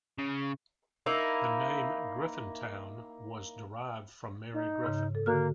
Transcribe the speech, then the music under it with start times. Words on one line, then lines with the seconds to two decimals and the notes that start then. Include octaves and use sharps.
The name "Griffintown" was derived from Mary Griffin.
0.19 C#3
1.06 A#3 D#4 E4
4.53 D#4
4.84 G#2 C#3
5.15 A4
5.26 D3 A#3 F#4 F6